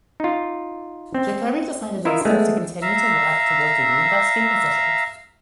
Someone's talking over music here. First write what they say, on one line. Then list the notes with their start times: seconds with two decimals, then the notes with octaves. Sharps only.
Jacobi decided instead to continue to work towards a University position.
0.20 D#4 F4
1.14 C4
2.05 E4 F4 A#4 D#5 E5
2.25 G#3 A3 B3
2.82 E5 F5 A#5 E6